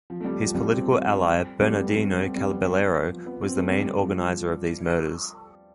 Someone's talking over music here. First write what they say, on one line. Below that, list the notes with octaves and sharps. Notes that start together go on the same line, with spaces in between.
His political ally Bernardino Caballero was the main organizer of these murders.
F3
A3
G3
F3
G3
C4
G3
A3
B3
C4
C4
B3
G3
B3
F3
B3
C4
A3
G3
F3